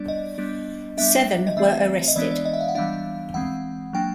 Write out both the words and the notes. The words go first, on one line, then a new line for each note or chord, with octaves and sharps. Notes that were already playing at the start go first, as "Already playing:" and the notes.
Seven were arrested.
Already playing: G3 B3 D4 D5
D#5
G3 B3 D4
G3 B3 D4 E5
D#5
E3 A3 C4 E5
D#5
E3 G#3 B3 D4 D5
D5
D#5
E5
F5
F#5
E3 G3 B3 D4 F5
E3 G#3 C4 F#5
F#3 A#3 D4 G5